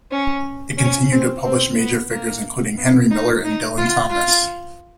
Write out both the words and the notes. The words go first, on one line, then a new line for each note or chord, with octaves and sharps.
It continued to publish major figures, including Henry Miller and Dylan Thomas.
C#4
C#4
C4
C4
B3
A#3
B3
D#4
D#4
F4
F4